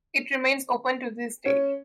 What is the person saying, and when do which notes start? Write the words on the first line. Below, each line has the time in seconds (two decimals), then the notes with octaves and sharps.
It remains open to this day.
1.46 C#4